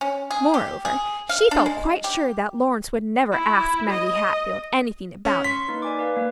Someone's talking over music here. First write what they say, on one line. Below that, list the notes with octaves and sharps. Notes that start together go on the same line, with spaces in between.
Moreover, she felt quite sure that Lawrence would never ask Maggie Hatfield anything about it.
C#4
G#4
G4
G#4
F5
D4
G#3
G4
E4
D#5
C#4 E6
C6 C#6 B6
A#3 D#4 B4
D5 G#5 D6
B4 F5
A#3 B4